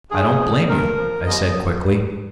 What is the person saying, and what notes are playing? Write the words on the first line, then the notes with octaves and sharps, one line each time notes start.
"I don't blame you," I said quickly.
G2 G#4
F3
G2 A#4
F3
D#2 D#5